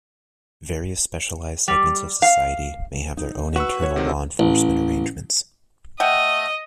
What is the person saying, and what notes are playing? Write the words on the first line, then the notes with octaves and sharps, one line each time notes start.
Various specialized segments of society may have their own internal law enforcement arrangements.
G3
F5
D#4
F#4 B4 C#6 E6
C#5
C3 D#3 C4
A1
A3 D#5 F#5 G5